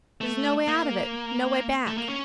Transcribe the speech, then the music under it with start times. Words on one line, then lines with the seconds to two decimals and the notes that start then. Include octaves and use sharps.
There's no way out of it, no way back.
0.21 A3
0.68 A#3
1.87 A3
1.97 A#3
2.08 C#4